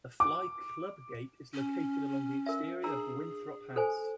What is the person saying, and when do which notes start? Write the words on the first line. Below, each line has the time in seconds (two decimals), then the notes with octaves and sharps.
The Fly Club Gate is located along the exterior of Winthrop House.
0.20 D6
1.54 C#4
2.46 A#4 E5
2.84 D4 G#4 A#5 E6
3.76 A4 C5 G#5